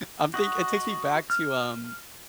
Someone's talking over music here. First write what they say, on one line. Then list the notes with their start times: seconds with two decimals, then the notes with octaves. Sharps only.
I'm think it takes me back to, um
0.34 F#4 D#5
1.30 F6